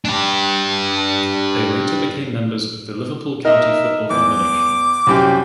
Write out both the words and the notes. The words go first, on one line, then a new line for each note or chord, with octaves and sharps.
They later became members of the Liverpool County Football Combination.
D4 G4
D#4 A#4 E5
E2 D6
C2 F#2 G4